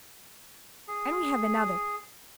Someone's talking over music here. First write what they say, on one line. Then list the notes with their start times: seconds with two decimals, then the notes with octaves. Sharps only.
And we have another.
0.88 G#4